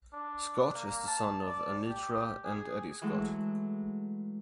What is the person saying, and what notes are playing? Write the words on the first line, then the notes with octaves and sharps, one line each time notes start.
Scott is the son of Anitra and Eddie Scott.
D4
A#3
A5
D5
G4
G#4
E3 F#3 G#3 A3